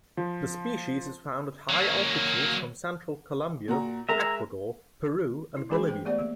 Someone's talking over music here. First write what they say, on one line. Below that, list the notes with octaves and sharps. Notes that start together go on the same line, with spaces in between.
The species is found at high altitudes from central Colombia, Ecuador, Peru and Bolivia.
F3
F#3 A#3
A#2 F#4 A#5
G#3 A#4 E5 A#5
E4
E3 G#3 C#4 G#4 C5 B5
B4 C5 G5
A3 B3 G4 C5 D5
A#3